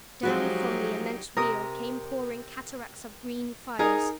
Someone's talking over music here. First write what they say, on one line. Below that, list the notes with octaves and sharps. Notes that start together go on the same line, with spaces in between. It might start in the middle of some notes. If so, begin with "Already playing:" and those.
Down from the immense wheel came pouring cataracts of green fires.
F3 F#3 G#3 D#4 F#4 G4
C3 A#4 D#6
D#4 G#4 A#4